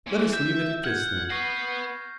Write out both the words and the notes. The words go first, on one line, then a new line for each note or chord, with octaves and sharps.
Let us leave it at this then.
A#2 E3
E5 G6
F#5 F6 G#6
B4 F#5 C#6 A#6 C7